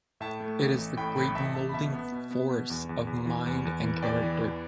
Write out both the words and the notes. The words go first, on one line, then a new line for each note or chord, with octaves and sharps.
It is the great molding force of mind and character.
A2 E5 A5
A3
A1
A1
A2 G5 B5
A1 G5 B5
A1 E5 A5
A1 E5 A5
B5
B2 E5 A5
B3
B2
B3
B2
E2
E2
E2
E3
E2
E2
E3
E2 D5 G5
E3
E2